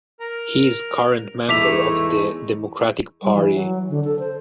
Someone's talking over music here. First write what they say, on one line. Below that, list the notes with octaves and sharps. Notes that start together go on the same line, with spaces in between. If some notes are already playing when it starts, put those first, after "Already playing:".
He is current member of the Democratic Party.
A#4 A#5
E2 G#3 A3 D#4 E4 D6 B6 F7
G3
E3
F#3
D3
A4
C5